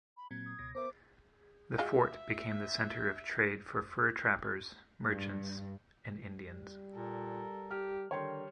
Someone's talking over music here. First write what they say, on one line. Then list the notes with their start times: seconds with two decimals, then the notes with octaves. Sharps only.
The fort became the center of trade for fur trappers, merchants and Indians.
0.17 B5
0.31 A#2 F#3 C4 G#6
0.46 D#6
0.59 C#2 B2 A#6
0.75 B3 A#4 C5 E5 D6
1.78 G#3 F4 F#4 E5
5.10 G2
6.45 G3
6.95 A#2 A4 A#4
7.71 G4 F6
8.11 D3 D#3 G3 C#5 G5 C6